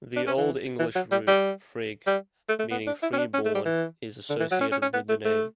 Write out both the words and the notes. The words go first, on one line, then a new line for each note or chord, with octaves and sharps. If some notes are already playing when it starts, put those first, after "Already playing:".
The Old English root "frig", meaning "free born", is associated with the name.
D4
C#4
E3
E3
F#3
G3
G3
G3
A3
A3
B3
D4
E4
C#4
D4
C#4
A3
G3
E3
D3
E3
F#3
C#4
C#4
C#4
B3
A3
A3